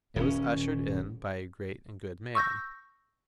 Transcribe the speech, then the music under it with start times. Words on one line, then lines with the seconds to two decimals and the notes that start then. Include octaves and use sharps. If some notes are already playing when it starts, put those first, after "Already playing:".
It was ushered in by a great and good man.
0.16 D#1 C#4
2.35 C#6 E6 G6 A#6